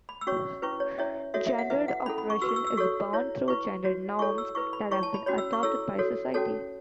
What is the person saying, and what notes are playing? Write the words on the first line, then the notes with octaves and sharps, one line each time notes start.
Gendered oppression is born through gender norms that have been adopted by society.
B5
E6
C#4 F#4 C#5 C#6
C#4 E4 B4 C#6
C#5
C#4 E4 C#5 E5
F#4 A4 C#5 E5
E5
F#5
E4 B4 E5
F#5
C#4 E4 A4 B5
B5
C#6
F#4 B4 E6
C#6
E6
E6
F#4 A4 C#5 C#6
E4 C#5
E4 B4 C#6
F#4 C#5
E4 A4 C#5 C#6
E6
E4 B4 C#6
B5
E4 C#5 C#6
A5
B5
C#4 F#4 C#5 B5
E6
C#6
E4 A4 C#5 E6
F#4 A4 C#5
C#4 F#4 A4 C#5 A5